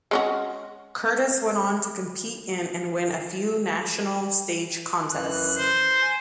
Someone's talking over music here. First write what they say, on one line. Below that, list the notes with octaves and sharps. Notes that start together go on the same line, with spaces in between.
Curtis went on to compete in and win a few national stage contests.
G#3 C#4 F#4
F#2 E3 F#6
C5
G#5